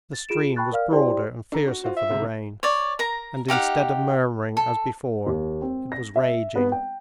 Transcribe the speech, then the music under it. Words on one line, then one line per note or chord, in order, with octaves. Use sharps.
The stream was broader and fiercer for the rain, and instead of murmuring as before, it was raging.
A6
F4 G#4 D7 E7
G5 A5 B5 C#6 F#6 A6
A#4 D5 F5 F6
E4 G4 C5 D5 G5 C6
D4 A4 A#5
F#4
F4 F#4 C5
E5
D2 G#2 C3
C#5 D5
A#4 A#5
D#4 G4 F5 F#5
A4
D#2
C4
A#6
E5
B3
G5